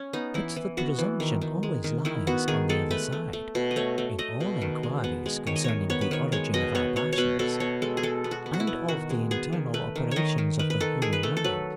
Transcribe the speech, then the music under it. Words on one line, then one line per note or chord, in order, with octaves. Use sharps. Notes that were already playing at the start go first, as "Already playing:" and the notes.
But the presumption always lies on the other side, in all enquiries concerning the origin of our passions, and of the internal operations of the human mind.
Already playing: C#4
B3 D#4
E3 E4
E3
B3 F#4
E3
D#3
D#3
G#3
D#3
D#3 E4
B3 F#4
D#3 G#4
G#3 A4
A3 B4
A3
A3
B2
D#5
A3 C#5
A3
A3 D#5
B2
D#3
G#3
B3
G#3
D#3 C#5
D#5
D#3 C#5
B3 C#5
B4
D#3 C#5
G#3 C#5
B2 D#5
B3 C#5
B3 C#5
C#5
B2 B4
B2 A4
B3 C#5
G#3 A4
G#4
G#3 A4
B3
F#4
B3
F#4
E4
B3
D#3 F#4
G#3
B3 G#4
D#3
A3 B4
D#3
D#3 C#5 D#5
D#3
D#3 B4
B4
D#3 A4
D#3 G#4
B4
A3 A4
A4
F#3 B4